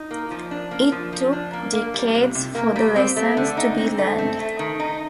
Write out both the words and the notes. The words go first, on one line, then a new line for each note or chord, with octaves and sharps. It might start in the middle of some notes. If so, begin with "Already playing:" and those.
It took decades for the lessons to be learned.
Already playing: D#4
A#3
F3
D4
A#3
F3
F3
D4
A#3
A#3
G3
C3
C3
A#3
G3
C4
A3
D3
D#4
C4
A3
C4
A3
D#3
D#4